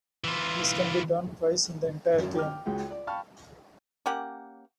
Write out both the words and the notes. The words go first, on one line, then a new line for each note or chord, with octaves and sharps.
This can be done twice in the entire game.
E3 F4
G#1 F#2
G5 D6 F6
C#2 G#3 F#4 G5
D5
F5 G5 A5 B5 C#6 F6
A#3 C#4 G4 F#5